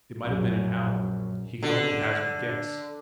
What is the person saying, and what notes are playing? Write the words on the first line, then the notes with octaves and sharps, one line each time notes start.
It might have been an hour--he could only hazard a guess.
A#1 F#2
D3